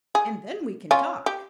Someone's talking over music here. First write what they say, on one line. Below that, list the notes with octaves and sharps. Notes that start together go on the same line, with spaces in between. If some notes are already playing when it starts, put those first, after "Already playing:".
And then we can talk.
G#4
C#4 F4
G4